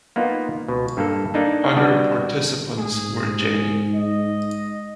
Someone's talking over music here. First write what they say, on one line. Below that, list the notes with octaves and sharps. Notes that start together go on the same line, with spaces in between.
Other participants were J.
A#3 B3 D#4 F4
C#2 B2
G2 A#3 A4
A#3 D4 D#4 A4
G3 B3 D4 F#4 D5 D#5
G#2 G#4
D#5